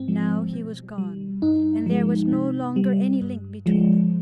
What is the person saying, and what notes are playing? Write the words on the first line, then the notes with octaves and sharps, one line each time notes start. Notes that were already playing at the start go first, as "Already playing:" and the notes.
Now he was gone, and there was no longer any link between them.
Already playing: G#2 C4
F3 G#3
B2
G3
G2 D#4
F3 G#3
C3
G3
G2
F3 G#3